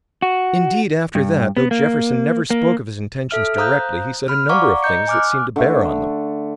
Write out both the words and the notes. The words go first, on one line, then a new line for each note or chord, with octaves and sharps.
Indeed, after that, though Jefferson never spoke of his intentions directly, he said a number of things that seemed to bear on them.
F#4
G2
B3
A#3
A#3
A4 E5 F6
C5 F5 A#5 D#6 F#6 G6
B5 F6
D5 F5 F#5 A#5 C#6 D6
D#5 A#5 G6 C#7
G#5 D6 F6 F#6
D3 A3